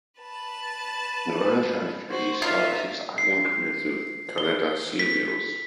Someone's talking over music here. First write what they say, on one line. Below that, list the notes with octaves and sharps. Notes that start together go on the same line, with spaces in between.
Niranjan Shetty started his acting career through Kannada Serials.
B4 A5
F#4 C5
D#4 F4 E5
C7
G7
B6